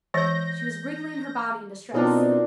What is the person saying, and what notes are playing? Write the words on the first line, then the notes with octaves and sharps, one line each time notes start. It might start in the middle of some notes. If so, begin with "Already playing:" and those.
She was wriggling her body in distress.
E3 G#3 C#5 G6 A#6
B2 C4 D4 D#4 F4 A#4